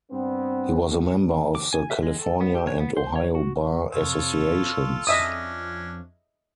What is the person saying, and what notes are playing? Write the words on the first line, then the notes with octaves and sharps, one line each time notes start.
He was a member of the California and Ohio Bar Associations.
G2 B3 C4
D6
G#5
E5
G#3
A4
B3
G4
C#5
B3
C5
C#5
F#4
F2 C3 F4 A4 C#5
F2 F3 C#4 D4 D#5 E5 D#6